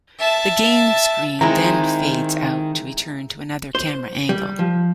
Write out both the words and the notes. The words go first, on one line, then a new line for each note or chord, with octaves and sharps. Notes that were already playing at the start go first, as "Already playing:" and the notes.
The game screen then fades out to return to another camera angle.
E5 A5
D#3 G#3 C4 E4 A#5
C5
G3
F3